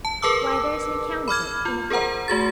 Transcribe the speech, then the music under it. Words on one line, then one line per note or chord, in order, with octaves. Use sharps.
"Why, there is an account of it in a book."
A5
G#4 A#4 B4 A5 D6 E6
B5 D6 F6 G#6
F4
G#4 A#4 C5 F#5 A#5
A3 F#4 G#4 A6